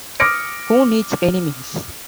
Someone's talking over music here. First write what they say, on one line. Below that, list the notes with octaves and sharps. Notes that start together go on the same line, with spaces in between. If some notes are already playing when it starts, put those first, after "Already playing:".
Who Needs Enemies?
D6 D#6 F6 A#6 C#7 D7